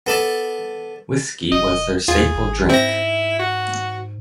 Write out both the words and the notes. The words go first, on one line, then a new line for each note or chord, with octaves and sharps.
Whiskey was their staple drink.
B3 A4 D5 A5
E1 D#5
D#2 F4 G#4
G#1
G#2 C4 E4 A#6
F#4